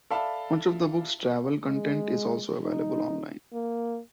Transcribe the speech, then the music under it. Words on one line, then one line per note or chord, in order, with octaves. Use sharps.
Much of the books' travel content is also available online.
A4 D5 E5 F5 A5 B5
G#3
D#4
A#3